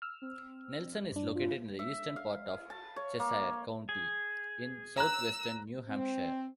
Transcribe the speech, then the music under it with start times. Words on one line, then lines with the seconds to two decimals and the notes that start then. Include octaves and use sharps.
Nelson is located in the eastern part of Cheshire County, in southwestern New Hampshire.
0.02 E6 F6
0.22 C4
1.12 G2 D4
1.35 F4
1.79 E5
2.16 F5
2.70 A5
2.96 C#5
3.20 A#3
3.89 G#4
4.98 A#5 E6 F#6
5.88 C4